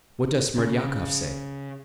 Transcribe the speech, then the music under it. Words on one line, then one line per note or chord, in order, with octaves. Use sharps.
What does Smerdyakov say?
C#3